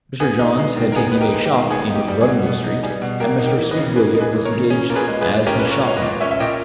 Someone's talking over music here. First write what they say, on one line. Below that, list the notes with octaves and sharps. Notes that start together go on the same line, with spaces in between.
Mr. Johns had taken a shop in Rundle-street, and Mr. Sweetwilliam was engaged as his shopman.
B3 G#4
D#4
G#3
D#3
A#4
B3 G#4
D#4 B4
G4 A#4
G#3
G4
D#3
B3 G#4
D#4
G4
G3
G#4
B2
B3
D#4
G3 G#4
B2
A#3 G4 A#4
D#4
G4 A#4
E3
B4 D#5
C#3
A#3 G#4 B4
D#4
G#4 B4
E3
A#4 C#5
C#3
C#4 G#4
A#2 A#4
G#4 B4
G#3
G#4 B4
A#2
C#4 G4 A#4
B4
A#2
A#4 C#5
G#3 C#5
B4 D#5
A#2
C#4 C#5 E5
E5
A#2 D#5 G5